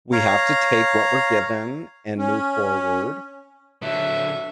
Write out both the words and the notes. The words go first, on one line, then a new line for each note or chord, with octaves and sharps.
we have to take what we're given and move forward,
C#5 F5 A#5
C#4
D3 F#3 E5